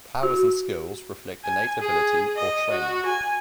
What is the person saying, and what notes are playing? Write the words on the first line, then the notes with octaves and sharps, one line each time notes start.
Powers and Skills reflect innate ability or training.
F#4
G#5
G#4
D#5
F#4
G#5